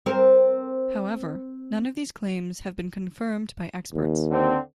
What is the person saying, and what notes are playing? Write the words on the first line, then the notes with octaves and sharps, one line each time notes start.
However, none of these claims have been confirmed by experts.
C4 A#4
D#2
D3 C4